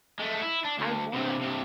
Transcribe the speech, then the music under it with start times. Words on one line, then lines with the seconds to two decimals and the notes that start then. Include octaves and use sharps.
I want
0.20 G#3 A3
0.42 E4
0.65 D4
0.79 D2
1.14 G2 C3
1.41 G2 C3